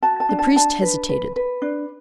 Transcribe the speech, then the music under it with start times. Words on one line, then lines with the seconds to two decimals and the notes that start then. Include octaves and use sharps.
The priest hesitated.
0.03 F#4 A5
0.20 A5
0.29 D4
0.39 A5
0.56 D4 A5
0.82 B4
1.09 B4
1.36 B4
1.62 D4